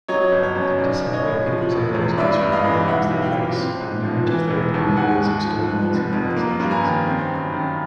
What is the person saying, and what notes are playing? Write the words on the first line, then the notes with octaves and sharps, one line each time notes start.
To separate people's identities from the problems they face, narrative therapy employs externalizing conversations.
F#3 C#5 D#5
G1
C#5
F#2
B1 D5
B1
C#5 D#5
A2
F3
E1
E2
G2 D5 E5
G2
D#5 F5
E3
B1 E5 F#5
B1
F5 G5
A#2
C4
G#2
F3
E3
E1
D#2
G#2 F#5 G#5
G#2
F3
F3
F1
F2
A#3
G2
G#5 A#5
D#3
C4
F#2
D#3